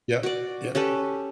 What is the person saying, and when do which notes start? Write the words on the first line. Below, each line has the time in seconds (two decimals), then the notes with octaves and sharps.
Yep. Yeah.
0.23 F#4 D5
0.75 C#4 G4 A4 B4